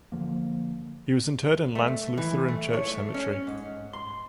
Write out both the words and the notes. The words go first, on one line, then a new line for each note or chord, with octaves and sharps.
He was interred in Lands Lutheran Church cemetery.
D3 F3 A#3
A3
E3
A3
C#5
A3
C#4
G#2
C6